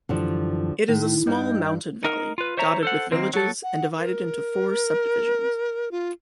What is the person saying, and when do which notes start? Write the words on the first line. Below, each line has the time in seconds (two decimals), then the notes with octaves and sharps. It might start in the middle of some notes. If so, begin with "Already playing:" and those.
It is a small mountain valley, dotted with villages and divided into four sub-divisions.
0.09 F#2 D3 E3 F3 G3
0.88 A2 D#3
1.27 G2 D#4 G5
2.04 D#4 A#4
2.38 F4 B4
2.57 C5 C#5 E5 A#5
2.83 A4 C5 F#5
3.12 D#3 A#3 C4
3.34 F#3 A4
3.63 F#5
3.98 A#4
5.91 F4